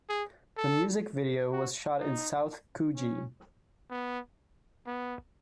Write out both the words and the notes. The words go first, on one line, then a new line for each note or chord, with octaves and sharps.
The music video was shot in South Coogee.
G#4
A4
F#4
D#4
C#4
B3
B3